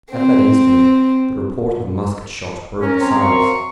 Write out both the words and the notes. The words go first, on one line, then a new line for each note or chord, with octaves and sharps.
At that instant the report of a musket-shot broke the silence.
C4
C#4 A#4
C4 A#5
F#2 F5 C#6